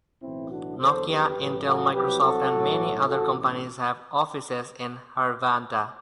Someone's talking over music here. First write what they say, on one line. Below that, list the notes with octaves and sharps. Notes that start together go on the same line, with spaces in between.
Nokia, Intel, Microsoft, and many other companies have offices in Hervanta.
B1 A2 E3 C4 E4
D4 F#4
E2 D3 F#3 A4 C5
G4 B4
A1 A2 F#3
F#4 A4
C2 C3 F#3 G4 B4
F#4 A4
B1 A2 F#3
A1 F#4 A4